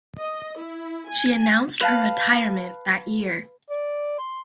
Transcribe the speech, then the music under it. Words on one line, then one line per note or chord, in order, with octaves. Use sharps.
She announced her retirement that year.
D#5
E4
G#5
B4 F5 A5
D5
C6